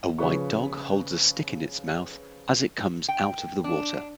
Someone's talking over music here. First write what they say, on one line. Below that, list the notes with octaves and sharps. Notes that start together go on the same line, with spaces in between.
A white dog holds a stick in its mouth as it comes out of the water.
C#3 F3 B4 C#6
G5
D4